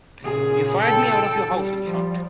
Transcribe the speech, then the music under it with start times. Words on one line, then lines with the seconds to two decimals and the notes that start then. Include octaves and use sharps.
You fired me out of your house, in short.
0.24 A#2 C#3 G#4
0.81 A4 G5
1.48 G3
1.85 F3